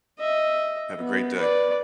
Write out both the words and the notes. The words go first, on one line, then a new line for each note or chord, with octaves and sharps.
Have a great day.
D#5 E5
B3
B4 D5